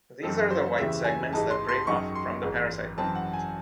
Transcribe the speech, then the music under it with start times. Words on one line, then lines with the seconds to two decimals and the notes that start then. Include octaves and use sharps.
These are the white segments that break off from the parasite.
0.22 F#2 E3 C4 D#4 A4
0.51 C5
0.77 D#2 C#3 E3 C4 E4 E5
1.04 G#5
1.32 A1 G#2 E3 G#3 D#4 A5
1.51 C6
1.69 C6
1.87 F#2 D#3 G#3 D#4 C#6
2.15 C6
2.42 G#1 G#2 E3
2.97 F#2 E3 C4 D#4 A5
3.15 F#5
3.34 G#5